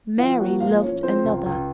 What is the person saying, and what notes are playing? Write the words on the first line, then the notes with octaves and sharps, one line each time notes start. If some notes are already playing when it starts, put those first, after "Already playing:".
Mary loved another!
F3 F4 F5
A#3 F#4 F#5
F3 F4 F5
F3 C#4 C#5
F3 C4 C5
C#2
C#2